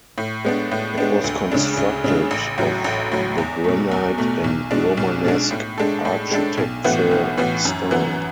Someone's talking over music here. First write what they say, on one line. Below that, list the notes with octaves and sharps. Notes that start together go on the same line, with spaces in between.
It was constructed of the granite in Romanesque architecture style.
A2
G#3 B3 D4
A2
G#3 B3 D4
D2
C#3 G#3 D4
D2
C#3 G#3 D4
A1
A2 F#3
A1
A2 F#3
E2
B2 A3
E2
B2 A3
B1
B2 G#3 D4
B1
B2 G#3 D4
A2
G#3 D4 A4
A2
G#3 D4 A4
B1
A2 E3 B3 F#4
B1
A2 E3 B3 F#4
F#2
E3 B3 F#4